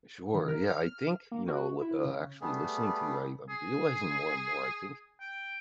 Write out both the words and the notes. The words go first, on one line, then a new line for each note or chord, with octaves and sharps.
Sure, yeah, I think, you know, with, uh, actually listening to you, I'm realizing more and more, I think
D#3
A#4
F6
A#3
F#4
E4
C#3
G3 A3 B3 G#4
G#4
G5